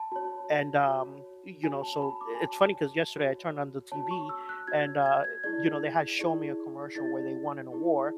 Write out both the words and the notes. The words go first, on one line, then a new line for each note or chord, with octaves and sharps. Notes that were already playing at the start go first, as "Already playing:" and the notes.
And, um you know, so it's funny 'cause yesterday I turned on the TV and, uh you know, they had shown me a commercial where they won an award,
Already playing: A5 B5
F#4 C#5
F#4 C#5
F#4 C#5 G#5
A5
B5
D6
G#5
F#4 C#5 A5
F#4 C#5
F#4 C#5 A5
C#6
E6
F#6
F#4 C#5 G#6
G#6
G#6
E4 G#4 D5 G#6
E4 G#4 D5
E4 G#4 D5 A6
E4 G#4 D5